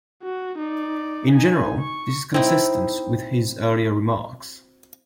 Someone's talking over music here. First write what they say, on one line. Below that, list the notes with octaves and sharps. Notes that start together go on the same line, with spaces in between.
In general, this is consistent with his earlier remarks.
F#4
D#4 D5
D#4 G#5
C#6
C4 D#4 E4